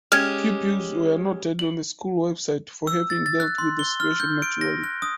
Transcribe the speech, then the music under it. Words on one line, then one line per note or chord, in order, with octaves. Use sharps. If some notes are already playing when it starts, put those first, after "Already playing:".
Pupils were noted on the school's website for having dealt with the situation maturely.
G#3 C#4 G4 F6 G#6
F#7
E6
A6
A6
F#6
C6
G7
F6
G6
D7
A#6
F#6
D#6